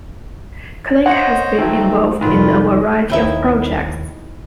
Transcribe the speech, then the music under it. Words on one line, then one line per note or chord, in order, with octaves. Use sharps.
Clink has been involved in a variety of projects.
C5 C#5 D#5 F#5
D#3 F#3 A3 C4 A4
C2 F2 D#3 F4 B4
D#2 D#4 E4 E5 G5